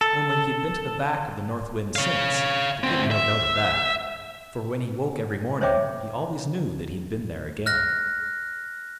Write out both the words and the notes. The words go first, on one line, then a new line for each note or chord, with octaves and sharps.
Only he had been to the back of the north wind since--there could be no doubt of that; for when he woke every morning, he always knew that he had been there again.
A4
C#5 F5
D2 C4
E5
C5 C#5 D#5 E5 G5 D6
F6 F#6 A#6